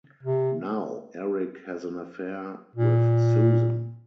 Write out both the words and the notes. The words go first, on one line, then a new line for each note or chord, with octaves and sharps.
Now, Erik has an affair with Susan.
C3
A#2